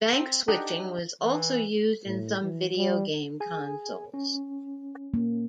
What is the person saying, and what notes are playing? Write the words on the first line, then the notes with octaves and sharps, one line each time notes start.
Bank switching was also used in some video game consoles.
C4
D4 D#4 G4 D#5 F#5 A#5
E3
A2
E3
G3
G#4 G#5
C#4
A#3